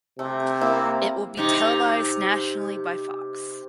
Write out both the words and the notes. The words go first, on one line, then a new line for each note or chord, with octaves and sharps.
It will be televised nationally by Fox.
C3 A3
A#3 E4
C3 D#4